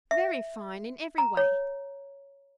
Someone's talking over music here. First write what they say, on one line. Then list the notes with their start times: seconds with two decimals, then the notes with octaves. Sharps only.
'Very fine in every way.
0.11 E5
1.18 A#5
1.37 C#5